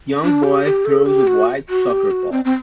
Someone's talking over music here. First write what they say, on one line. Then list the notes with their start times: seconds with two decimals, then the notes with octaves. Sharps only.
Young boy throws a white soccer ball.
0.23 D4
0.43 G4
0.65 G4
0.85 A4
1.06 G4
1.27 F#4
1.69 F#4
1.90 G4
2.11 F#4
2.32 C4
2.45 C4